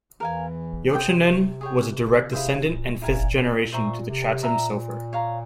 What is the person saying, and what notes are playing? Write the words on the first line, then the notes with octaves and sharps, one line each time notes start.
Yochanan was a direct descendent and fifth generation to the Chatam Sofer.
E2 E3 A#4 F5 G#5
C3 G#4 C5 G5
G#4 C#5 G5
E3
C#3
C3 E4 G#4 C5 F5
A#2
E4 A#4 F5 G#5
A#2 C5 E5 A#5 C#6
C3
A#2 A#4 E5 A#5
C#5 F5 A#5